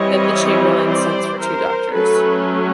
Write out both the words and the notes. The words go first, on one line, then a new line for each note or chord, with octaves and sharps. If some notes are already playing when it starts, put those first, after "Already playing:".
Then the chamberlain sends for two doctors.
Already playing: E3 G3 C4 C#5 D#5
C5 D5
A#4 C5
F#3 A3 C#4 A4 B4